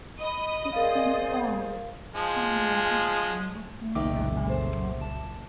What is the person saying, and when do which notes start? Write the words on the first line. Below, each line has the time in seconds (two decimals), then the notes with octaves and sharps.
Dixon's aunt, Sheila Dixon, was the mayor of Baltimore.
0.20 D#5 B5
0.73 G#4 A#4 C5 D5 F5
2.15 F3 G#3
3.95 F#1 C2 A#2 D#3 D#4 E5 G5 D6
4.48 A4 C5
5.01 A5